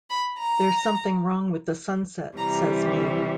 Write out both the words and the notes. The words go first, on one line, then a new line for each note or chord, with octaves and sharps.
"There's something wrong with the sunset," says Meade.
B5
A#5
C3 E3 G3 A#5